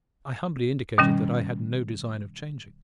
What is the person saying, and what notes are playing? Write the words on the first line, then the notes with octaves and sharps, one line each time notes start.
I humbly indicated that I had no design of changing.
B2 D#3 G3 C#4